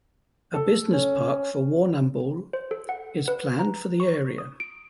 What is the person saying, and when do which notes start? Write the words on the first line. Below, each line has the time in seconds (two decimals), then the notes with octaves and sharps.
A business park for Warrnambool is planned for the area.
0.54 A4
0.93 C#4
2.53 C5
2.71 A4
2.89 F#5
3.28 B4
3.59 A#5
4.00 C#6
4.38 D#6
4.60 D7